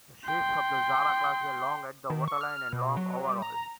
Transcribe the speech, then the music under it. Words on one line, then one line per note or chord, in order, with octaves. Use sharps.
The ships of the "Zara" class were long at the waterline and long overall.
G5 C6
D#3
C#6
F6
B2
F#3
G3
A#5